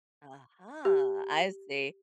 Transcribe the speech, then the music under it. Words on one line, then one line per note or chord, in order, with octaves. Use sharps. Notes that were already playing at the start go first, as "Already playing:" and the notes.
Uh-huh, I see.
G4